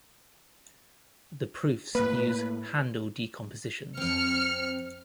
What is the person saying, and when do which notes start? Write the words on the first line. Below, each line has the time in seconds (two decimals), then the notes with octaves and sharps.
The proofs use handle decompositions.
1.95 A2 A#3 B4
3.97 F2 C4 F6 C#7